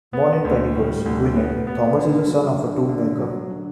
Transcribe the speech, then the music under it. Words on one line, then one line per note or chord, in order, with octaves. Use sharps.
Born in Penygroes, Gwynedd, Thomas is the son of a toolmaker.
B3
D2
G3
D2
B3
B3
D3
F#3
D3
D3
F#3
D3